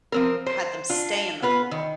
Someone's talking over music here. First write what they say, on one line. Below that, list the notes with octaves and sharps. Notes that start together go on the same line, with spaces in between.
had them stay in the pool
F3 C4 A#4
C5
D4 F4
B3 F4 B4
D#3